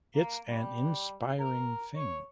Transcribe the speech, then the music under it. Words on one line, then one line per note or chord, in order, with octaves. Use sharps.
It’s an inspiring thing!
A#3
G3
A#4
C#5